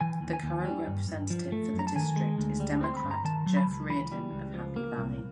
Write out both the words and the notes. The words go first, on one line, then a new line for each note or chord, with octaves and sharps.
The current representative for the district is Democrat Jeff Reardon of Happy Valley.
E3 G#5
D#2
G#5
D#2
G3
G2
G2
F3
A3
F#2
A#5
A5
D#3 G#5
G#3
D2
G3
C4 C6
B5
G2
A#5
D#3 A5
F#3
B5
C#2
E3 B5
G3
C#2
F3
A#3
C2